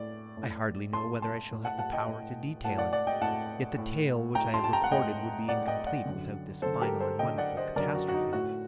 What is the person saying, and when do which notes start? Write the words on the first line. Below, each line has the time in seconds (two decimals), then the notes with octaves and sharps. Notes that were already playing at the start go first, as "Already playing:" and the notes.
I hardly know whether I shall have the power to detail it; yet the tale which I have recorded would be incomplete without this final and wonderful catastrophe.
Already playing: A2 D5
0.37 A2
0.93 A2 A5 C6
1.22 A5 C6
1.51 A2
1.65 F#5 A5
1.79 F#5 A5
1.93 D#5 G5
2.08 A2
2.64 A2 F#5 A5
2.78 D5 F#5
2.93 D5 F#5
3.07 D#5 G5
3.21 A2 F#5 A5
3.78 A2
4.35 A2 G5 A#5
4.54 A5 C6
4.64 A5
4.73 G5 A#5
4.84 F#5
4.92 A2 D#5 G5
5.48 A2 D5 F#5
5.68 D#5 G5
5.86 D5 F#5
6.05 F#2 D3
6.62 F#2 D3 A4 C5
6.81 G4 A#4
7.00 A4 C5
7.19 F#2 D3 D#5 G5
7.38 D5 F#5
7.57 C5 D#5
7.76 F#2 D3 A#4 D5
7.95 F#4
8.08 F#4
8.14 D#4
8.33 A2 F#4